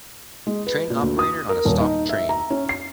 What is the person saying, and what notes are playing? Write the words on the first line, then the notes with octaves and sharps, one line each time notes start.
Train operator on a stopped train.
G#3
B4
A#2
D2
D#6
A#4
D#1
D#4
E5
A#5
C#4
C7